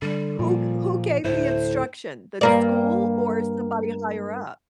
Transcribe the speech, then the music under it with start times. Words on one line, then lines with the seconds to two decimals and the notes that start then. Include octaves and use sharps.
Who g Who gave the instruction, the d school or somebody higher up?
0.02 D3 G3
0.39 A#2 F3
1.25 D2 A2 E4 C5
2.41 G2 A#3 D5